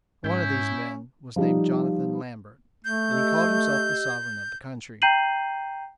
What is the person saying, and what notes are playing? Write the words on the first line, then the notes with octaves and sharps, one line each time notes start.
One of these men was named Jonathan Lambert, and he called himself the sovereign of the country.
G#2 C#4 E4 G6
F3 G3 D#4
A3 G6
G4 D#5 E6
G5 A#5 G6 C7 D#7 F#7